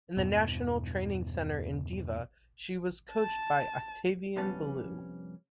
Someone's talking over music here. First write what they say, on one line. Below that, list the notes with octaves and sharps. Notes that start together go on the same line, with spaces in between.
In the national training center in Deva, she was coached by Octavian Belu.
E2 G2 B2
A5
C2 F2 G3 B3 C#4 A5